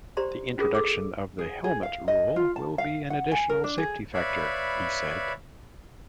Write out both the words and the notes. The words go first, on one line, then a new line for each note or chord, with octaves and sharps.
"The introduction of the helmet rule will be an additional safety factor," he said.
G4 C5 D5 A#5 C6
C#4 F4 G#4 A#4 D#6
A4 D6 E6
G#4
G#4
F5
D#5
F4
A5
F5
F#5
G#5
A#4
D4
G#4
B4 C#5 D5 E5 F5 B5